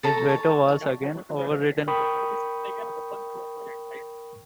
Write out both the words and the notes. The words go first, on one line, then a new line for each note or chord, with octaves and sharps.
His veto was again overridden.
A4 C#5 A5 A#5
C#5 A5
A#4 G5 B5 C#6 D#6